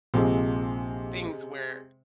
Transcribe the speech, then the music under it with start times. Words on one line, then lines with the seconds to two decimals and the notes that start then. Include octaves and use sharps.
things where
0.14 A#1 C3 F3 G#3